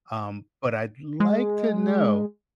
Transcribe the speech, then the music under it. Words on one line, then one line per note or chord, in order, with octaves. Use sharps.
um, but I'd like to know
G#3